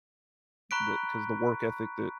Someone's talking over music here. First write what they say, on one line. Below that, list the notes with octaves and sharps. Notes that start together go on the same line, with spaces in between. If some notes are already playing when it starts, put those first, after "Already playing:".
The 'cause the work ethic that
A#5 B5 C#6 F#6 B6 D7